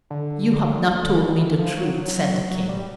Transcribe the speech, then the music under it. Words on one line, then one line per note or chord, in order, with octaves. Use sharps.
"You have not told me the truth," said the King.
D3
D3
D#3
D#3
E3
F3
F#3
F#3
G3